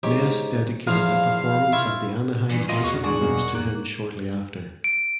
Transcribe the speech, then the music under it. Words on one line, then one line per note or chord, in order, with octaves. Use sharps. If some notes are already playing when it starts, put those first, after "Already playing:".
Ness dedicated a performance at the Anaheim House of Blues to him shortly after.
G#2 C#4 G4
E2 F3 F5
E4 F4 C#6
G2 E3
A#3 B3 F4 D#5
E2 F#4
E3 G#3 D4 F#4 G#4
B2 F#3 A#3
A#3 F#6
D7